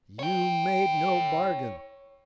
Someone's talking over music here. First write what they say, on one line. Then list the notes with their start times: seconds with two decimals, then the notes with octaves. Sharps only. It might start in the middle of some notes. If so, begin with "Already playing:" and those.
"You made no bargain."
0.19 C#5 G5